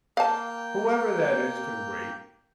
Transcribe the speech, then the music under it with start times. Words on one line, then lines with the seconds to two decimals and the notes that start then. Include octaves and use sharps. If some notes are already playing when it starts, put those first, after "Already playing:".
"Whoever that is can wait."
0.17 A#3 F5 G5 A5